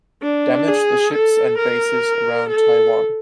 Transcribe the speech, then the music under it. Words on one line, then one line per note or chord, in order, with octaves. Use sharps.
Damage to ships and bases around Taiwan.
D4
G#4
A4
A#4
A4